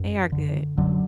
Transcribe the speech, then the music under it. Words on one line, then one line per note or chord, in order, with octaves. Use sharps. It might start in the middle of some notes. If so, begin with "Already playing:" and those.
They are good.
Already playing: F#2
D3
F#2 D3 F#3